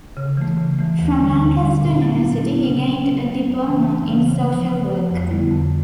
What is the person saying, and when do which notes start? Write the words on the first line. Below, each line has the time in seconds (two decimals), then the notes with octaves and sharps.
From Lancaster University, he gained a Diploma in Social Work.
0.17 C#3
0.37 E3 A3
0.57 C#3
0.79 E3 A3
0.99 D#2
1.19 D3 G3
1.41 D#2
1.61 D3 G3
1.82 A#2
2.02 F#3 B3 E4
2.23 A#2
2.43 F#3 B3 E4
2.63 C#3
2.85 F#3 B3
3.04 C#3
3.25 F#3 B3
3.46 F#2
3.66 C#3 E3 A3
3.87 F#2
4.07 C#3 E3 A3
4.28 C#3
4.48 F3 A3
4.69 C#3
4.89 F3 A3
5.10 F2
5.30 D3 G3 B3 E4
5.51 F2